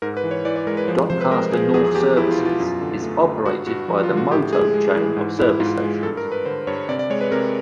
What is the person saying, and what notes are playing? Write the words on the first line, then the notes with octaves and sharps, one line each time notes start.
Doncaster North services is operated by the Moto chain of service stations.
G#2 A#4
B4
E3
C#5
E3 D5
D5
G#3 A#4
B4
F3 C5
C3 C5
B4
G#3 A#4
F3 G#4
E2 G#4
G#4
E2 G4
E2 E4
F4
B2
F4
F#2
D3
A3
D3
G2 F#4
G2 F#4
F3
F4
D3
F#4
A2 G4
G#3 G#4
G#3
E3
G#2
G#2 E4
G#2 F4
G#3
G2 A4
A#4
G2
B4
D3 C5
G2 C#5
C3 D5
D5
G#3 C#5
B4
C3 A#4